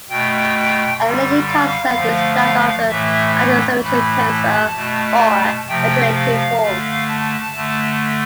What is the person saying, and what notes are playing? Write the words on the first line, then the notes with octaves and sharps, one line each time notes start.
A related concept is that of the antisymmetric tensor or alternating form.
B2 A3 G5
D3 G3
F5
D3 F3 A3
A2 E3 A3 E5
A2 E3 A3 B5
A5
B2 A3
C3 F3 A3 G5
F5
D3 A3 F5
A5
D3 A3